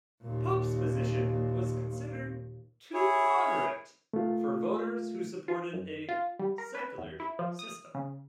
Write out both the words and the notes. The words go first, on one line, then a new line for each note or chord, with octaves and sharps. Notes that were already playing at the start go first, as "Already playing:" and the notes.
Pope's position was considered too moderate for voters who supported a secular system.
D#2 A#2
E4 G#4 C#5
A3 F4
F4
F#2
F4
G3
A#4
B4
E2
E4
F3
D#6
C#3